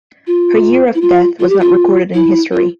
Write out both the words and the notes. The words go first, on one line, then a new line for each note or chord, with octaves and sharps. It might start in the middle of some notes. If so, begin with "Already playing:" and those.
Her year of death was not recorded in history.
F4
E4
F4
F4
G4
F4
E4
F4